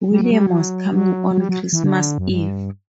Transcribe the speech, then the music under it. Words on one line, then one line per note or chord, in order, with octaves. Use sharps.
William was coming on Christmas Eve.
G3
F#3
G3
F#3
F#3
F#3
G3
F#3
E3
D3
F#2
G2